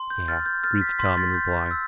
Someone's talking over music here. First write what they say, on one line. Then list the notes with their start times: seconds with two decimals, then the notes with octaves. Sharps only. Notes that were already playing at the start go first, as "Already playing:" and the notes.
"Yeah," breathed Tom in reply.
Already playing: C6
0.10 G6
0.28 F6 A6
0.46 G6
0.63 F6 A6
0.81 B6
0.99 C6 B6
1.17 A6
1.34 G6
1.71 E6